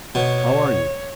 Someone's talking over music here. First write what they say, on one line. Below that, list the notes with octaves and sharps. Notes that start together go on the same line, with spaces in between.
"How are you?"
B2 C#5